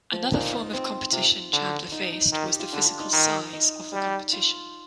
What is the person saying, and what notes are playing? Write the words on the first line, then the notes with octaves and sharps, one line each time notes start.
Another form of competition Chandler faced was the physical size of the competition.
F3
A#2 D#4
F4
C4
C3 F4
D3
D#4
D#4
D#3
G4
F4
D3 D4
F4
D#4
D#3
D#4
G3
F4